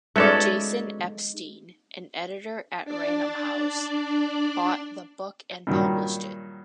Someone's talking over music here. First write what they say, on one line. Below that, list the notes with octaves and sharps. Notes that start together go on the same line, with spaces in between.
Jason Epstein, an editor at Random House, bought the book and published it.
F#3 G#3 A3 B3 C#4 D#4 A4 D5
D4 D5
G2 A#2 D#3 F#3